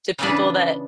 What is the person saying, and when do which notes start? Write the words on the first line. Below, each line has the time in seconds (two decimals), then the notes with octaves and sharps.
to people that
0.19 C#3 E3 B3 D4 B4